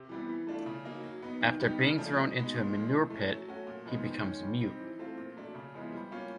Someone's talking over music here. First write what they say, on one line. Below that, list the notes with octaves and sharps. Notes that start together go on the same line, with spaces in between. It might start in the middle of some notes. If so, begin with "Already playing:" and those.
After being thrown into a manure pit, he becomes mute.
Already playing: C3
E3 G3 B3
E3
A3 D4 F4
C#3
F#3 A#3 D#4
F#3
B3 D#4
D#3
G3 B3 D#4 G4
C#3
F3 A3 D4
B2
G#3 B3 D#4
A#2
F3 G#3
E3
A3 C#4
F#3
A3 C#4 F#4
A#2
F3 G#3 B3 D#4
D#3
G#3 C#4
G3
C4 D#4 G4
E3
A3 C4 F4
A#2
F#3 A3 D4
C#3
F3 G#3 B3 E4
G3
A#3 C#4 F4